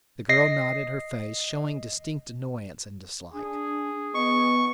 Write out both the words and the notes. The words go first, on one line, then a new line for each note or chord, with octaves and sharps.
The girl nodded her face showing distinct annoyance and dislike.
D#5 A#6 C7
D4 G#4
B3 D#5 C#6